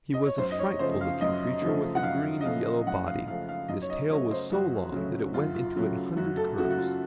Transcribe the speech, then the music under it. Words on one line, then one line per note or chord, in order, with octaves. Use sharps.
He was a frightful looking creature with a green and yellow body, and his tail was so long that it went into a hundred curves.
D#5
C#5
F#2 C5
D#5
C#5
C#3 F3 A3 C5
F5
F#2 D#5
C#3 F3 A3
F#5
F#2 F5
D#5
C#3 F3 A3 F5
F#2 F#5
F5
C#3 F3 A3 F5
F5
F#2 D#5
C#5
D#5
C#3 F#3 A3 C#5
C5
F#2 F#4
C#3 F#3 A3
F#2 F4
F4
C#3 F#3 A3
F#2 F#4
A4
C#3 F#3 A3 F#4
F#4
F4